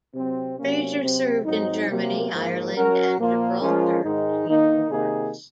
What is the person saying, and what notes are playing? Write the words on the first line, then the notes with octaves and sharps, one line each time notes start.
Fraser served in Germany, Ireland, and Gibraltar between wars.
C3 F#3 C4
C3 F#3 A#3 C#4
C3 F#3 C4
G#2 F#3 C4 D#4
C3 F#3 A#3
G#2 F3 A#3
F#3 C#4 F#4 A#4
A#2 F3 A#3 F4
F3 G#3 C#4 F4 A#4
G#2 D#3 G#3 D#4
D#3 A#3 D#4
C3 D#3 A#3 D#4 G#4